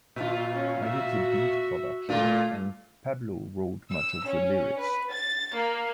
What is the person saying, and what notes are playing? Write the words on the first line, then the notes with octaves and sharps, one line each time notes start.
I did the beat production and Pablo wrote much of the lyrics.
A#2 F4
C#4
F#4 E5
A#2 A3 F4
E6
C#4
B4
A6
A#3